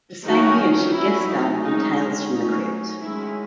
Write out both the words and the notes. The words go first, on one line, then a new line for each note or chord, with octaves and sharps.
The same year, she guest starred on "Tales from the Crypt".
D#3 F#3 C#4 D#4 F#4
F#3 A3 C#4 E4
D#4
D#3 G#3 C#4 D#4
F#3 A3 C#4 D#4
D#3 G#3 C#4 E4